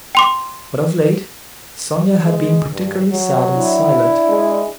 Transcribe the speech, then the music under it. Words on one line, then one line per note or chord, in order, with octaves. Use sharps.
But of late Sonya had been particularly sad and silent.
G5 C6 D6
G#3
G2
F#3
D4 E4
G#3